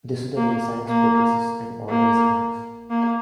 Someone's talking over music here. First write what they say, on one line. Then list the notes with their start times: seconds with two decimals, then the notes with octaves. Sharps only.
That is the way science progresses and always has.
0.36 A#3
0.87 A#3
1.89 A#3
2.90 A#3